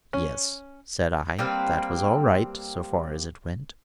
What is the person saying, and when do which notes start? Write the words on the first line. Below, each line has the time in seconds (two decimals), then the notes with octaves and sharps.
'Yes,' said I, 'that was all right, so far as it went.'
0.13 C#4
1.38 G3 A#3 C4 B4